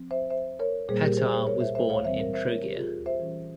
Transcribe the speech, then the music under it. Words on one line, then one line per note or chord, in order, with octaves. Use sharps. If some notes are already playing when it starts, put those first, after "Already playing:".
Petar was born in Trogir.
Already playing: F3 C4
C5 E5
C5 E5
A#4 C#5
A#2 G3 A#3 G#4 C5
G4 A#4
G#4 C5
G#4 C5
A#4 C#5
C5 E5
C5 E5
C#5 F5
E3 G3 C4 C5 E5
A#4 C#5
C5 E5
A#4 C#5
G4 A#4
F4 G#4
C5 E5
E3 G3 C#4